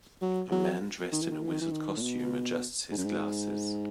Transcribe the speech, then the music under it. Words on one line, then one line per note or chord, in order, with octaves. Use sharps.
A man dressed in a wizard costume adjusts his glasses.
F#3
F#3
D#3
E3
D#3
E3
D#3
E3
D#3
A2
B2
G#2
F#2
G#2